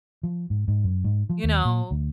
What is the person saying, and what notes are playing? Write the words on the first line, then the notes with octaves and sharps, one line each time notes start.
you know,
F3
G#2
G#2
F#2
G#2
F3
D#2
A#2
D2